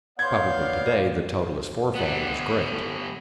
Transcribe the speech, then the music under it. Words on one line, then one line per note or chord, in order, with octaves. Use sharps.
Probably to-day the total is four-fold as great.
B3 C#5 D5 F5 C6 G6 G#6
G3 B3